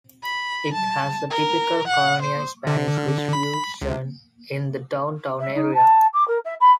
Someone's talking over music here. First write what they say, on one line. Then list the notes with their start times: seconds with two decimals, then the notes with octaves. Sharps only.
It has the typical colonial Spanish distribution in the downtown area.
0.23 B5
0.73 A5
1.30 A#4
1.87 F#5
2.22 C5
2.67 D3
3.33 B5
3.82 C#2
5.40 E5
5.55 D#4
5.74 A5
6.13 D6
6.27 A#4
6.44 E5
6.60 B5